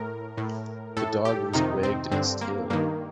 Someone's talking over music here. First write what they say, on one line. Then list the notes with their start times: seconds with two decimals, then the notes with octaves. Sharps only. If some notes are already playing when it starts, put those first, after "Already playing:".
The dog was wagged its tail.
Already playing: A2 A#4
0.38 A2
0.97 A2 A4
1.25 G4
1.53 F2 C3 D#3 D#4
1.83 C4
2.11 G2 D3 C4
2.41 A#3
2.70 G2 D#3 A#3